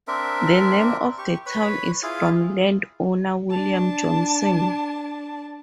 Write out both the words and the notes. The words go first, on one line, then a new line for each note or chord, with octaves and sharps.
The name of the town is from landowner William Johnson.
C4 D4 A#4 E5
G4 C#6
B4 C#5 B5
E4 F4 G#4 F5
D4 A5